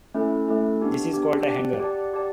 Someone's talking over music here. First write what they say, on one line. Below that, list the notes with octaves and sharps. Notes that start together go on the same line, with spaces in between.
This is called a hanger.
A3 C#4 E4 A4
A3 C#4 E4 A4
B3 D4 G4
B3 D4 G4
G4 D5 F#5 A5
G4 D5 F#5 A5
G4 D5 A5